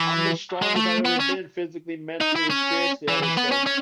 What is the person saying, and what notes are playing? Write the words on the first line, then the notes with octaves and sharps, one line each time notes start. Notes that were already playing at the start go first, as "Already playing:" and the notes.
I'm the strongest I've ever been physically, mentally, and spiritually, I would say.
Already playing: E3
G#3
A3
B3
C#4
D#4
E4
C#4
E3
E3
B3
C#4
C#4